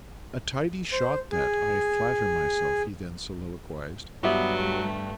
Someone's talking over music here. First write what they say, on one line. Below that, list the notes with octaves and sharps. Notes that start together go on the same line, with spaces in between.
'A tidy shot that, I flatter myself,' he then soliloquised.
C5
G#4
G2 F#3 B3 G4 E5
A3